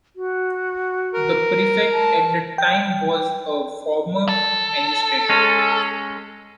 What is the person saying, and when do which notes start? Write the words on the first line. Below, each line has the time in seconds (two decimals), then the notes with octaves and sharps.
The Prefect at the time was a former magistrate.
0.16 F#4
1.14 A#4
1.93 A5
2.58 G5
4.29 A4
5.29 G#3 C#4